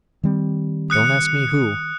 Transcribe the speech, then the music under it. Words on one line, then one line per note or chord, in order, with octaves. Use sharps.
Don't ask me who.
D#3 G3 C4
D#6 F#6 C#7